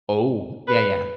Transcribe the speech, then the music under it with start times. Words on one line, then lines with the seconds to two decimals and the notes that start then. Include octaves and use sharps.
Oh, yeah, yeah.
0.68 B4